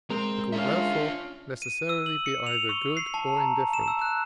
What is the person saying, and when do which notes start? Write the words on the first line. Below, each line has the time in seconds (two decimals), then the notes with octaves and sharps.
It will therefore necessarily be either good or indifferent.
0.10 G#3 C4 A#4
0.53 C#4 D4 F4 E5 F5
1.62 D#7
1.89 E6
2.06 F#7
2.26 C#7
2.47 F7
2.69 C#6
2.97 C7
3.14 A5
3.37 A#5
3.73 E7
3.88 E6
4.02 F#6